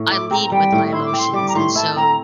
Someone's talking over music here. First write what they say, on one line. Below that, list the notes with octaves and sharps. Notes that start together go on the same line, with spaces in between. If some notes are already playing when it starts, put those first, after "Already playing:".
I lead with my emotions, and so,
Already playing: A2
E4 D6
C4 A#5
G3 G5
A2
E4 C6
D6
C4 C6
G3 D6
A#5
A2 C6
E4 A5
C4 A#5